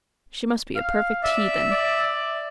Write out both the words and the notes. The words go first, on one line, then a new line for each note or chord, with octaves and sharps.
She must be a perfect heathen.
F5
D5 E5
D5